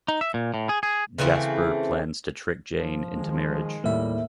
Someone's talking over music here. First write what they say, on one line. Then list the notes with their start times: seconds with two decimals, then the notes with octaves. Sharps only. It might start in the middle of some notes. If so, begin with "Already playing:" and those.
Jasper plans to trick Jane into marriage.
0.08 D#4
0.21 E5
0.34 A#2
0.54 A2
0.69 G#4
0.83 G#4
1.18 C#3 E3 A3 C4
2.73 F3
3.13 D#3 G#3
3.84 D#2 A2 G3 A#3 E5